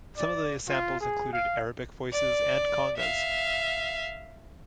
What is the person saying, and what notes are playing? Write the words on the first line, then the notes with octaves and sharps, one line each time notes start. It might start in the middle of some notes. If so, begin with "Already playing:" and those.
Some of the samples included Arabic voices and congas.
D5
F4
G#4
F5
D5
E5 F5